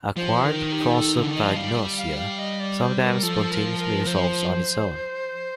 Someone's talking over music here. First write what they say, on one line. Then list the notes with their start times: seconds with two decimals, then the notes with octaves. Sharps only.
Acquired prosopagnosia sometimes spontaneously resolves on its own.
0.17 F3 C5
0.44 D#3 A#4
0.73 G4
0.93 A4
1.18 D3
1.30 D#3 D#5
1.43 F3
1.56 G3 F5
1.98 F5
2.18 F5
2.39 D#5
2.60 D5
2.81 C5
3.02 A#4
3.23 F3 A4
3.51 A#4
3.79 A#4
4.06 F3 C5